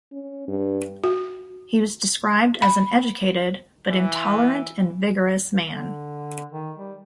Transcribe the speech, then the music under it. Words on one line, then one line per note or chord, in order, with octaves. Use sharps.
He was described as an educated, but intolerant and vigorous man.
C#4
G2
F#4
B5
E3
D3
D#3
G3